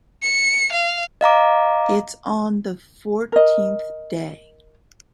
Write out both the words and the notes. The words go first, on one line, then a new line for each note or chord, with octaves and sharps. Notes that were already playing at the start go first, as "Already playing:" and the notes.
It's on the fourteenth day.
C#7
F5
D#5 F5 A#5 D6
A#4 D#5